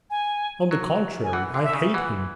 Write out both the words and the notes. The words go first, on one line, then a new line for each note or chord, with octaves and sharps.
On the contrary, I hate him!
G#5
F#3
G#5
E3 F#5
D3
E5
C#3
E3 F#5